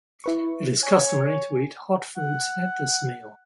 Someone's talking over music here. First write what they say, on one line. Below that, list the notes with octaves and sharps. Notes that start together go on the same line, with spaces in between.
It is customary to eat hot foods at this meal.
E4 B4 C#6
C#5 G#5
F#5